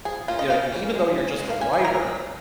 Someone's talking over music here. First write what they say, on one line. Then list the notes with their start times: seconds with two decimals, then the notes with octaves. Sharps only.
y like, even though you're just a writer,
0.05 F3 G#4
0.28 A#3 C#4 F4
0.39 D#5
0.50 F3 F5
0.72 A#3 C#4
0.95 G#3
1.18 C#4
1.40 G#3
1.50 F5
1.61 C#4 G#5
1.73 G#5
1.84 G#3 A#5
2.07 C#4